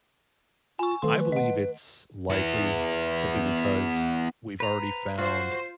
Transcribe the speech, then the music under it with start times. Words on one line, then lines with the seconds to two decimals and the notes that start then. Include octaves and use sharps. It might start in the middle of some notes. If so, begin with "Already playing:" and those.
I believe it's likely simply because we've already found,
0.79 F4 G#5 C#6
1.02 D#3 A3 A4 C6
1.19 B4
1.32 D#5 F#5
2.30 B3 E4
4.60 B4 C5 A#5
5.18 F4 F#4 C5